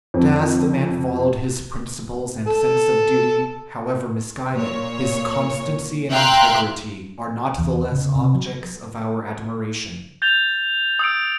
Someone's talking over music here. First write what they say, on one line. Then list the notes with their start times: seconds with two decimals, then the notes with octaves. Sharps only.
But as the man followed his principles and sense of duty, however misguided, his constancy and integrity are not the less objects of our admiration.
0.14 F2
2.47 A4
4.54 A#2 C#5
6.11 E5 F5 G5 A#5 C6 F#6
7.58 E2
7.92 C#3
8.15 C3
8.35 F#3
10.22 G6 A6 F7 G7
10.99 D#6 E6 D7